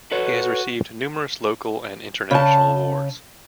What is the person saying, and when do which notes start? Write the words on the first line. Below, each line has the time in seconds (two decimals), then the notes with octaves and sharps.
He has received numerous local and international awards.
0.12 F#4 A4 B4 C#5
2.31 C#3 A5